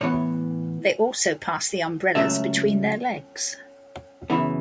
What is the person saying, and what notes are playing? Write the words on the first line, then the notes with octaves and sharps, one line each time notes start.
They also pass the umbrellas between their legs.
A2 E3 B3 C#5
C#2 B2 F#3 A3 C#4 E5
F#2 C#3 E3 B3